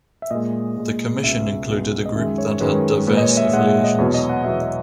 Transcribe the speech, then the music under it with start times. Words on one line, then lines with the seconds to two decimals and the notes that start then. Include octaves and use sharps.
The commission included a group that had diverse affiliations.
0.22 E5
0.31 A#2 G#3 D#5
0.77 A#2 G#3
1.24 C#2 B2 G#3 E5
1.69 C#2 B2 G#3
2.06 D#5
2.15 F#2 D#3 G#3 E5
2.38 C#5
2.51 C#5
2.60 F#2 D#3 G#3 B4
3.07 A#2 G#3 B4
3.17 D#5
3.22 C#5
3.37 E5
3.53 A#2 G#3 F#5
3.69 E5
3.84 D#5
3.98 E2 B2 F#3 C#5
4.14 D#5
4.29 F#5
4.44 E2 B2 F#3 E5
4.61 D#5